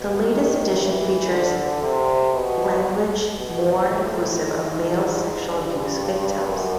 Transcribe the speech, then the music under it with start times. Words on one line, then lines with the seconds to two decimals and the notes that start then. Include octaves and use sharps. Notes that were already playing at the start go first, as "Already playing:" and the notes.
The latest edition features language more inclusive of male sexual abuse victims.
Already playing: B2
0.26 D#3
0.78 E3
1.30 D3
1.82 C3
2.33 B2
3.38 B2
3.88 A2
4.41 G#2
5.44 G2
6.47 F#2